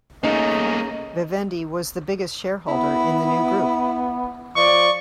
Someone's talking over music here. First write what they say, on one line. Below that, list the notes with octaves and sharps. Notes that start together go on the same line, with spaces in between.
Vivendi was the biggest shareholder in the new group.
A3 A#3 C#4 D#4 G#4 D#5
B3 E4
F3 D5 C#6